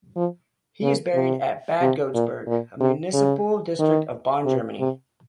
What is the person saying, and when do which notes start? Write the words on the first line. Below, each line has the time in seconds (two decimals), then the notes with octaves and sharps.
He is buried at Bad Godesberg, a municipal district of Bonn, Germany.
0.17 F3
0.83 C#3
1.15 C3
1.81 C3
2.14 A#2
2.48 A#2
2.80 C3
3.13 C#3
3.80 D#3
4.46 C3
4.79 C3